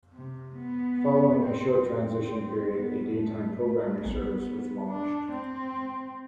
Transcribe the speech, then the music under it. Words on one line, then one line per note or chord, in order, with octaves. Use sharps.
Following a short transition period, a daytime programming service was launched.
C3
B3
C4
C4
B3
A3
B3
D4
C4